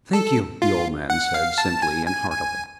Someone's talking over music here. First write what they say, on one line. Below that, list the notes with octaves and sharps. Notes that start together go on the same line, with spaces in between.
"Thank you," the old man said, simply and heartily.
A4
F4
F#5
F5
A5
G#5
G#5
G#5